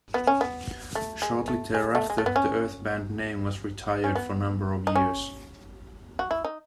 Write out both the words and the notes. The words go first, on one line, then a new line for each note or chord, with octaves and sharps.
Shortly thereafter, the Earth Band name was retired for a number of years.
B3
C#4
B3
A3
G#3
A3
G#3
A3
G#3
A3
B3
C#4
C#4
B3
D#4
C#4
F#4
E4
D#4